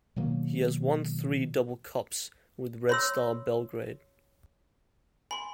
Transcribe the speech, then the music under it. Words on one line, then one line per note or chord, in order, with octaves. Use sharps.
He has won three double cups with Red Star Belgrade.
B2 D#3 F#3 A#3
C#5 B5 C6 E6 A#6
G#5 B5 C6